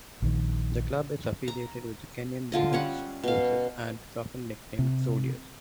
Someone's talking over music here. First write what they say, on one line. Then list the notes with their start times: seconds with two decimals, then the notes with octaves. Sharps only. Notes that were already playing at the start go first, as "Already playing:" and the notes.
The club is affiliated with the Kenyan defence forces and is often nicknamed soldiers.
0.22 A#1 D#3
1.48 A#5
2.52 D3 F4 D#5
2.73 G3 C#4 F#5
3.23 B2 F5
4.79 C3